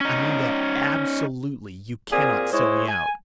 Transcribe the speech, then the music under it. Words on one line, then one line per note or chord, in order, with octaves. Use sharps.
I mean that ab-so-lute-ly you cannot sell me out.'
C#4 D#4
A#2 C4 G#4 A#4 G#5
G#3 E4 C5 C#5
G#5